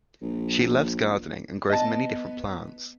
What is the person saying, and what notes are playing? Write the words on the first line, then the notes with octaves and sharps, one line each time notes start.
She loves gardening and grows many different plants.
A#1
B3 D#5 A5